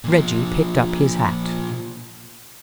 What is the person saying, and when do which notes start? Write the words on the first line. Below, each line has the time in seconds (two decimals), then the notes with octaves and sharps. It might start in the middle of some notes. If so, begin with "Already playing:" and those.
Reggie picked up his hat.
0.04 A#2 F3